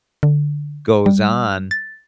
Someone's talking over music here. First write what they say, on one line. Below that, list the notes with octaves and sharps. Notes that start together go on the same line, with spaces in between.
goes on,
D3
G3
A6